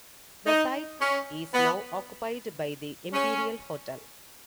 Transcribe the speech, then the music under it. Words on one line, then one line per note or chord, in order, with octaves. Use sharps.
The site is now occupied by the Imperial Hotel.
D#4
C#4
B3
C#4